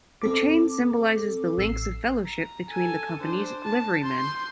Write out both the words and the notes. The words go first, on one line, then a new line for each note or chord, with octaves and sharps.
The chain symbolises the links of fellowship between the Company's liverymen.
C4 A4 D6
A1 E6 C7
A#5
A4 G#5
D4 C5
A5
C6 G6